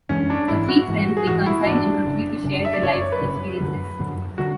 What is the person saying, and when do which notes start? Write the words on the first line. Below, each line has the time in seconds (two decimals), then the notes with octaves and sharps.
The three friends reconcile and continue to share their lives and experiences.
0.09 F#2 E3 G#3 C#4 D4
0.30 D4
0.48 G#1 G#2 E3 E4
0.69 F#4
0.88 G#1 G#2 E3
1.17 G#4
1.26 G#1 G#2 E3 F#4
1.46 E4
1.66 G#1 G#2 E3 D4
2.04 F#1 F#2 C#3
2.44 F#1 F#2 C#3
2.65 E5
2.73 D5
2.83 F#1 F#2 C#3 C#5
2.92 D5
3.01 C#5
3.12 B4
3.21 F#1 F#2 C#3
3.60 F#2 D3 F#3
4.00 F#2 D3 F#3
4.38 D3 F#3 F#4